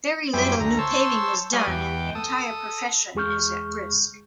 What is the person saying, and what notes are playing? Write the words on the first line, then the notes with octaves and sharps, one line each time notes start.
Very little new paving is done and the entire profession is at risk.
F#2 G3 C4 E4 G#4 G5
D2 A#5
C5 C#5 A5 E6
G3 B4 C#5 F5 G#5 D#6
E2 G5
A4 D#6
E2 G#3 G#4 C#6 F6 G6